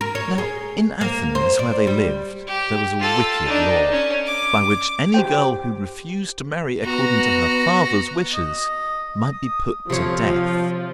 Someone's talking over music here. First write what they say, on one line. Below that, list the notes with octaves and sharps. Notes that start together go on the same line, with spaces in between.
Now, in Athens, where they lived, there was a wicked law, by which any girl who refused to marry according to her father's wishes, might be put to death.
A#4
C#5
G#4
A#3
C5
D5
G3
G4
F4 A4
D4 D#4
C#4
D6
G4 C5 G5
B3 F#4 A#5
D#5
D#6
C3 F3 C#5